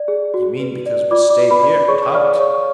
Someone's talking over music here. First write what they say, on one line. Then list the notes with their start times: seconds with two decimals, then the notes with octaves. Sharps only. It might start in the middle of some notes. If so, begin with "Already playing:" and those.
"You mean because we stay here in Tarleton?"
Already playing: D5
0.08 G#4
0.34 F#4
0.60 B4
0.86 D5
1.11 F4 D5 D6
1.30 D5 D6
1.38 B4
1.50 B4 B5
1.63 D5
1.88 G#4 C#5 C#6
2.14 D5 F5 F6
2.40 G#4 C#5 C#6